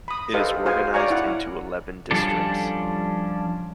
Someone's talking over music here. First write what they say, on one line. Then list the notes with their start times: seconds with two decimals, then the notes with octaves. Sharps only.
It is organized into eleven districts.
0.08 B5 D#6
0.34 G4 A4 B4 C5 D#5 F5
0.65 F#4 G#4 C5 F5 G#5
0.94 C#5 D5 F5 G#5 A#5 C#6
1.10 E4 F#5
2.11 F3 G3 C#4 D4 A4